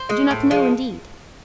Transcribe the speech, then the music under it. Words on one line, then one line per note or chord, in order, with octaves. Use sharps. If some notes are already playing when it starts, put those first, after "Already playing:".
"I do not know indeed."
Already playing: C5
G#3
A2
F3 G#3